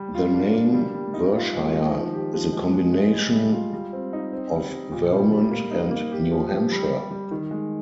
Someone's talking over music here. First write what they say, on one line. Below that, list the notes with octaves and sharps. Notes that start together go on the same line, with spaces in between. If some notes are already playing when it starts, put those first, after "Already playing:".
The name Vershire is a combination of Vermont and New Hampshire.
Already playing: G3
F4
D4
A#3
G3
G3
D#4
F4
G#3
D#3
F3
G4
F3
G#3
G#3
G#3
G3
G3
F4
G3
C4
D#4
C4
G3
G3
A#2
G3
G3
A#3
D#4
A#3
G4
F3
G4
G3
G3
G3
D#3
G#3